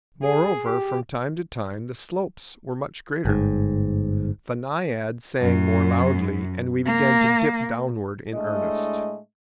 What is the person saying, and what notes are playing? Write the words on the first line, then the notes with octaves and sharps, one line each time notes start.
Moreover, from time to time the slopes were much greater, the naiad sang more loudly, and we began to dip downwards in earnest.
G#4
G4
G1 G#2
F#2
A#3
A2 G#3 A3 D4 D#5